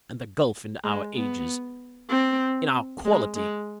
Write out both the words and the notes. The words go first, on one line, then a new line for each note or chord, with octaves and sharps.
And the gulf in our ages--in our quality!
G#3
B3
C4
G#3
G#3